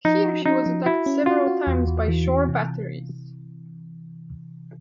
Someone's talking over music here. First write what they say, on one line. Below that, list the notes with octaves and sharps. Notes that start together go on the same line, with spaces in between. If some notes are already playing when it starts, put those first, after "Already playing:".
Here she was attacked several times by shore batteries.
F3 D#4
F#4
C#4 D#4
F3
E4 F#4
C#4
F4 F#4
F#4
E2
E2
E3
E3
C3